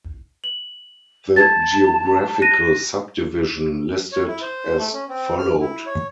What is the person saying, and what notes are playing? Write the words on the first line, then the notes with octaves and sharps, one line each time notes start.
The geographical subdivision listed as followed.
F#7
A5 G#6 A6
F#6 A#6 D#7
C#5
E4
C5
A3
C#4
C4
F6
E4
C#5